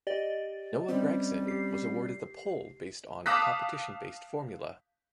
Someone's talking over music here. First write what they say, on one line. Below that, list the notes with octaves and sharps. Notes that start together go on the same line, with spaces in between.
Noah Gragson was awarded the pole based on competition based formula.
G4 D5 D#5 A6
G3 C4 C#4
G4 C7
F5 A5 D6 D#6 F#6 B6